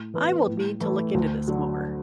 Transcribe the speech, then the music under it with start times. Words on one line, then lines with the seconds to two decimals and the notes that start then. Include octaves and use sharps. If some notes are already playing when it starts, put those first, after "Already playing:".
I will need to look into this more...
Already playing: A2
0.14 E3 B3 E4
0.47 A2
0.81 E3 A3 E4
1.14 D2
1.48 D3 F#3